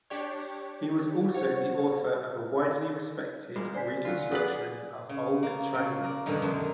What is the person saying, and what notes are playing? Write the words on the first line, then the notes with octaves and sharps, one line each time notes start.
He was also the author of a widely respected reconstruction of Old Chinese.
D4 G4 C#5 D5
C5 C#5 F#5
G3 G#3 A#3
C5 D5 G#5 B6
F#3 F4
G#4 B4 D5 F#5
C#3
A#3
C#3
A#4 D5
G2 B2 D3 D#3 G3
F#2 G#3 A5